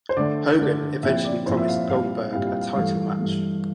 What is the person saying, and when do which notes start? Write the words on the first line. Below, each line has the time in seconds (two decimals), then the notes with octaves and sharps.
Hogan eventually promised Goldberg a title match.
0.09 C5
0.17 D3 A3 D4 D5
0.60 D3 A3 D4
1.03 A#2 F3 C4 E4 E5
1.25 D5
1.46 A#2 F3 C4 E4 C5
1.57 E5
1.68 F5
1.89 A#2 G3 C4 E4 F5
2.33 A#2 G3 C4 E4 F5
2.47 F5
2.61 F5
2.76 G2 E3 A3 F5
3.19 G2 E3 A3